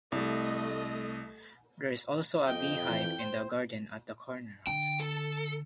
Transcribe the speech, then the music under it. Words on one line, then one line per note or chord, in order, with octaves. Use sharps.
There is also a beehive in the garden at the Cornerhouse.
C2 A3 D#5
F2 D#5 G5
E3
C5
D3 G5
A4